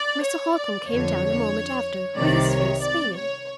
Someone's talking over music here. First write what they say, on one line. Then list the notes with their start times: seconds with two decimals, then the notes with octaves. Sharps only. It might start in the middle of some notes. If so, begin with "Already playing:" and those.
Mr. Holcombe came down a moment after, with his face beaming.
Already playing: D5
0.22 C#5
0.55 D5
0.88 F2 D3 C#5
2.17 C2 C3 D#3 D5
2.50 C#5
2.83 D5
3.16 C#5